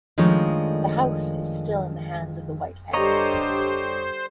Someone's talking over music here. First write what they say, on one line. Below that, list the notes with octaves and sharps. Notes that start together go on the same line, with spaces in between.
The house is still in the hands of the White family.
D#3 F3 G#3 A3 D4 C#5
D3 G3 G4 C5 C#5 D#5 A#5